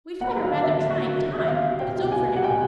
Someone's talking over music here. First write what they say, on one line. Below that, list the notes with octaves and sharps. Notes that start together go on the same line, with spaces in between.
We've had a rather trying time but it's over now.
A#3 F#5
F#3
F5
D3
D#2 E5
A#3
F#3
D3
D#2
E5
B3 F5
G3
B2 G5
C2
B3 G#5
G3
F#5
B2 G5